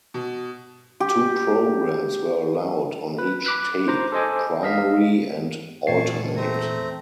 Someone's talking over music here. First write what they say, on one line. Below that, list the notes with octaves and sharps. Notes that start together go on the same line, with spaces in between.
Two programs were allowed on each tape: primary and alternate.
B2
G4
B4
B5 D6 F#6
C5 A#5 D6
A4 C5 D#5 G#5 D6
D#5 F5 B6
E2 A#2 G#5 A5 C#6 C7
A3 C4 A#5